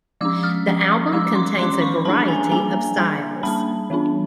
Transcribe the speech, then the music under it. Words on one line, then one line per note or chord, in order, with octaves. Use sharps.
The album contains a variety of styles.
F3 G#3 C#4 D6 E6
D#6 F6
F3 G#3 C#4
F3 G#3 C#4 D6 E6
C6 D6
F3 G#3 C#4 C6 D6
B5 C#6
G3 A#3 D4 A5 B5
G#5 A#5
G3 A#3 D4 G#5 A#5
G3 A#3 D4
G3 A#3 D4 A5 B5
E3 G3 B3 D4